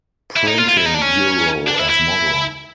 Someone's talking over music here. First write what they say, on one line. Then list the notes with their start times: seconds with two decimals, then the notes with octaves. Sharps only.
Printing Bureau as model.
0.36 E4
0.47 D#4
0.58 F4
0.68 F4
0.77 E4
0.85 D#4
0.94 D4
1.01 C#4
1.67 D4
1.79 E4
1.89 E4